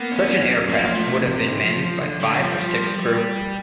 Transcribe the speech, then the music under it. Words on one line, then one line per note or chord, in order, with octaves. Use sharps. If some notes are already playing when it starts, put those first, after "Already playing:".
Such an aircraft would have been managed by five or six crew.
Already playing: A#3 B3
C#4
C#4
F#3
F3 A#3
F3
A3
C3
C3
D3
F3
F3
D3
D3 G3
F3
F3